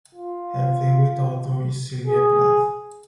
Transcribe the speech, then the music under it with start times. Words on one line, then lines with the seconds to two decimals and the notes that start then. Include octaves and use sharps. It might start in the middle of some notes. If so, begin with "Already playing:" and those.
Her favorite author is Sylvia Plath.
0.15 F4
2.07 G#4